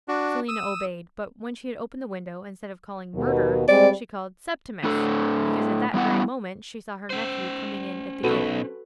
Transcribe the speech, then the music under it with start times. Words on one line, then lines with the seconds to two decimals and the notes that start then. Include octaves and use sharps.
Selina obeyed; but when she had opened the window, instead of calling 'Murder!' she called 'Septimus!' because at that very moment she saw her nephew coming in at the gate.
0.08 D4 F#4
0.48 D#6 E6
3.16 D#2 B2
3.68 G3 G#3 C4 D5
4.84 A2 D4 A4
5.94 G3 B3 E4 F#5
7.10 C#4 C5
8.24 B1 F#4 A4 B4